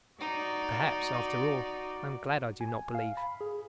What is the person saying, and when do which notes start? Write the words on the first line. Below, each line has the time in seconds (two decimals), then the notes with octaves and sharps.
Perhaps, after all, I am glad I do not believe.
0.20 D#4 F#4 D5
2.61 G#5
2.95 F5
3.17 B5
3.41 G#4